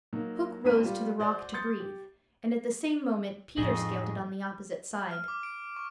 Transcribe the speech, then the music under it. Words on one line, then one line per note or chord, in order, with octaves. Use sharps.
Hook rose to the rock to breathe, and at the same moment Peter scaled it on the opposite side.
F#3 A#3 D#4
G#1 B3 C4 D4 B6 D#7
G3 F4 G4
F#4 C5 D5
C6 D#6 G6 A6 C#7
G4
F2 A2 D#4 G#4 D#5
F6
D6
D7
C#6